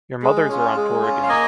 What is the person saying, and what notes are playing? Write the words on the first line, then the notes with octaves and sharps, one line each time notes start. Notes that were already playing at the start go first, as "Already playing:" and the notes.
Your mothers are on tour again.
G#3
C#4 F4
G#3
C#4 F4
F5
A#3 D#5 G#5